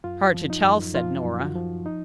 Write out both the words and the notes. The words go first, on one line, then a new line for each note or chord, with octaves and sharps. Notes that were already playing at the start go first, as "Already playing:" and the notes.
"Hard to tell," said Nora.
F#2 F4
F3
D#4
F#2
F3 F4
F#2
F#4
F3
D#4